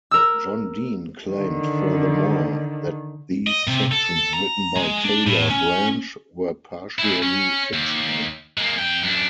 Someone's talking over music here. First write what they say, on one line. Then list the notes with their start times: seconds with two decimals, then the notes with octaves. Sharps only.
John Dean claimed furthermore that these sections written by Taylor Branch were partially fictional.
0.11 A#4 E6
1.28 D3 D#3
3.47 D#5
3.67 C3
3.92 A4
4.33 A#5
4.76 G#3
5.04 D4
5.27 A2
5.50 C#4
6.99 G#3 E4
7.23 C#4
7.73 D#2
8.57 G#3 A#3
8.79 F2 G5
9.03 F#2 D4